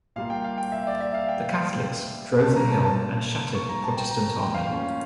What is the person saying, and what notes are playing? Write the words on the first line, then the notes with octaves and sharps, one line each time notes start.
The Catholics drove the hill and shattered the Protestant army.
A#2 G3 A#3 F5
G5
F5
G5
E5
D5
E5
F5
G5
A#2 G3 A#3 C#4 A5
A#5
A5
A5
C#6
A#5
A5
G5
A#5
G5
F5
A#2 A3 C#4